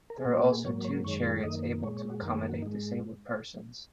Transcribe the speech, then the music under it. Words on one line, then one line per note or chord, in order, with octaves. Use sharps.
There are also two chariots able to accommodate disabled persons.
A#4
G#4
A#2 A#3 F#4
F#4
G#4
G#2 F#3 A#3 C#5
C#5
F#2 D#3 G#3 C#5
F#2 D#3 A#3 D#5
A#2 G#3 C#5
C#5
F#4
F#2 D#3 A#3 A#4
G#4
F#4
G#2 G#3 D#4